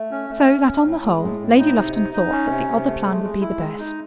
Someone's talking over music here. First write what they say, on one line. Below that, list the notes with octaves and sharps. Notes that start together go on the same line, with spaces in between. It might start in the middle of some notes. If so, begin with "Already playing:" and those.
So that on the whole Lady Lufton thought that the other plan would be the best.
Already playing: A3
C#4
A3
C#4
C#4
A2
G#3
A2
A2
D#4
C3
D#4
D#4
C#4
C3
C3
A3
G#3
G#3
E4
G#3
D#4